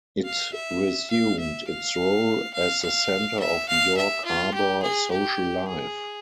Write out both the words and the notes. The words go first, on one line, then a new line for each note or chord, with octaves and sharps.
It resumed its role as the center of York Harbor social life.
F5
E5
F5
E5
F5
F5
F5
E5
F5
E5
F4
G4
G#4
G4
G#4